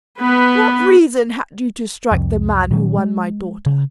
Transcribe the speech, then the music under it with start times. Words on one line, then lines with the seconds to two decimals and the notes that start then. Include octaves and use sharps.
"What reason had you to strike the man who won my daughter?"
0.20 B3 B4
2.12 C2 F2
2.71 A#2 D#3 F#3 C#4
2.98 G#3
3.66 C#3